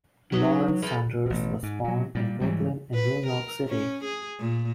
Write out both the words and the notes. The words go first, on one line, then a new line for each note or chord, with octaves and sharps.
Lawrence Sanders was born in Brooklyn in New York City.
F#3 D#4 B4
G#4 A4 B4 B5
A1 B2
G#2
A#2 F#3
A#2 G3
G#2 E3 F#3 G3
B4
A#4
C#4
G#4
A#2